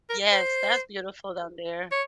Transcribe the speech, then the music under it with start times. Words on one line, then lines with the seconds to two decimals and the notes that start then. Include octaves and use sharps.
Yes, that's beautiful down there.
0.09 A#4
0.32 C5
1.92 C#5